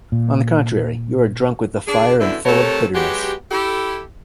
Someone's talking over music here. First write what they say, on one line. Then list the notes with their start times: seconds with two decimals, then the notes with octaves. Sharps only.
On the contrary, you are drunk with the fire and full of bitterness.
0.12 A#2
1.87 D4 G#4
2.20 F#2 B2 D3 A3 D4 E4
2.45 C3 A3 A4 A#4 C#5
2.95 F#3 G#3 B3 F#4 G4
3.51 E4 G4 A4